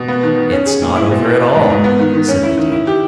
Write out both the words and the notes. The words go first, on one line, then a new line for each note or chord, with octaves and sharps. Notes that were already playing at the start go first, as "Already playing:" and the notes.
"It's not over at all," said the dean.
Already playing: B2
B3
D#3
D#3
C#4
G#4
A#2
E4
B2
B2
A#3
G#2
G#2
B3
D#3
D#3
C#4
E4
D#3
E4
G4